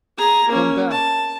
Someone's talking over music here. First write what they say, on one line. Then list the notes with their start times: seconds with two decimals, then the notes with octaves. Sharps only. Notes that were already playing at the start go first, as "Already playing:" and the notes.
Come back!
0.17 G#4 A#5
0.49 A#3 C#4
0.91 A5